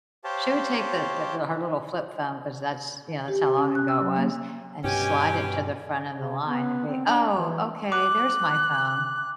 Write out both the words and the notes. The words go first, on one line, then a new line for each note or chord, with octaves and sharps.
she would take the the her little flip phone, 'cause that's you know, that's how long ago it was, and slide it to the front of the line and be, "Oh, okay, there's my phone."
G4 C5 C#5 F5 G5 A5
G4
C#4
F#6
E6
F#3
A#3
G2 B2 C#4 G4 G#5
C#3
B3
C4
D4
E3
D6 F#6